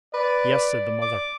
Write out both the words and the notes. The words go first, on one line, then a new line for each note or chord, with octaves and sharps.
"Yes," said the mother.
B4 D5
D6